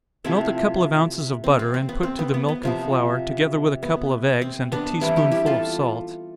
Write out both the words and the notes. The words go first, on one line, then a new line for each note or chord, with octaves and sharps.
Melt a couple of ounces of butter, and put to the milk and flour, together with a couple of eggs, and a tea-spoonful of salt.
C3 F3 A3 C4 E4
C4
C4
C4
B3
C4
B3
B3
B3
C3 F3 B3
B3
C4
B3 D4
E3 G3 B3 C4 E4
E4 G4
E4 G4
F4 A4